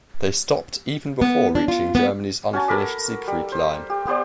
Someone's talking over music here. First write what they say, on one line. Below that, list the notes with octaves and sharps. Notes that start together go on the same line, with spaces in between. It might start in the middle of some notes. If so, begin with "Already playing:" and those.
They stopped even before reaching Germany's unfinished Siegfried Line.
B3
D4
F4
B3
C#4 F#4 G#5 A5
A4 A#4 B5 D6
G3
C5
G4
B3 G4 C5 D5